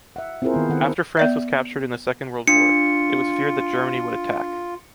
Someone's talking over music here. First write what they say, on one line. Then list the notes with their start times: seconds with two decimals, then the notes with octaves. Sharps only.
After France was captured in the Second World War, it was feared that Germany would attack.
0.16 E5 F#5
0.42 C4 E4 F4 G#4 A#4 C5
0.54 D#3 B3
0.70 D#3 A4 F#5
1.17 B3 D5 E5
2.48 D4 F4 C#7